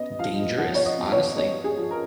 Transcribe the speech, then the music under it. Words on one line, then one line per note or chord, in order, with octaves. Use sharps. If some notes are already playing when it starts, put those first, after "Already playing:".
dangerous, honestly.
Already playing: B3 D#5
F3 F5
F3 F#5
C#5
D#5
B3
C#5
B3 C#5
G#4
F3
A#4